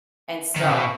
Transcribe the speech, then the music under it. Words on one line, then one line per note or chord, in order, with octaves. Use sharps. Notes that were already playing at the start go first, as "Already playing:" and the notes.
And so
D#3
C#3
B2